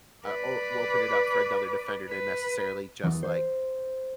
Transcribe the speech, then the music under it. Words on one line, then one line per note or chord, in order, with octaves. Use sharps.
uh, or open it up for another defender to necessarily just like
B4 D5
B4
E2
C5